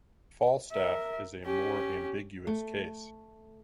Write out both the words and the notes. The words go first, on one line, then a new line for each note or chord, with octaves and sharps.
Falstaff is a more ambiguous case.
A#4 E5
C#4 G4
A3